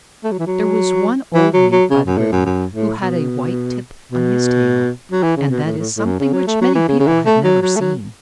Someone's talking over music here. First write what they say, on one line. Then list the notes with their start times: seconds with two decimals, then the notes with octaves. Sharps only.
There was one old Mink by the river who had a white tip on his tail, and that is something which many people have never seen.
0.24 A3
0.32 F#3
0.39 E3
0.47 F#3
1.35 E3
1.54 F#3
1.72 F#3
1.91 C#3
2.07 F#2
2.18 A2
2.32 F#2
2.46 F#2
2.74 A2
3.01 B2
4.12 B2
5.12 F#3
5.23 E3
5.37 C#3
5.50 B2
5.64 A2
5.78 A2
5.97 A2
6.06 F#2
6.20 C#3
6.33 F#3
6.47 A3
6.61 F#3
6.75 E3
6.89 C#3
7.00 C#3
7.07 E3
7.26 A3
7.44 F#3
7.62 F#3
7.76 A3
7.81 F#3